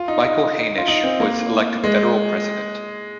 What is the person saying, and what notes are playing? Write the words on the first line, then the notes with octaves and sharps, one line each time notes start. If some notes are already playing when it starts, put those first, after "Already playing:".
Michael Hainisch was elected Federal President.
Already playing: F4
D#4
D#4
F4
D#4
C4
A#3
G#3